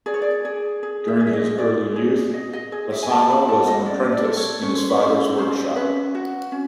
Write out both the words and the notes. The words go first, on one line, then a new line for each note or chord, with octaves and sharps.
During his early youth Bassano was an apprentice in his father's workshop.
G#4 D5
C#5
D5
G#4
G#4
E5
G#4
E5
D#5
G#4 D5
G#4
G#4 D#5
D#5
G#4 D#5
E5
G#5
F#4 A5
B5
F#4 A5
D#5
C#4 D5
D5
A4 D5
C#5
C#4 C#5
C5
B4
C#4 C5
C#4 C5
C#4 B4
F#4
C#4